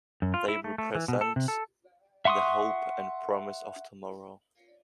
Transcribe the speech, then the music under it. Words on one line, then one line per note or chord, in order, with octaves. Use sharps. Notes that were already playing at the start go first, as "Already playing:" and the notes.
They represent the hope and promise of tomorrow.
F#2
F4
E4
A3
A3
E3
B2
A4
C3
A4
E5 F#5 C6 C#6 D#6